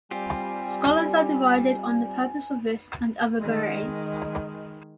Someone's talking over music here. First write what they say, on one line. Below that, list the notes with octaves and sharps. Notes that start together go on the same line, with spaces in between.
Scholars are divided on the purpose of this and other barays.
G3 C4 F4 G4 G#5
D#3 G#3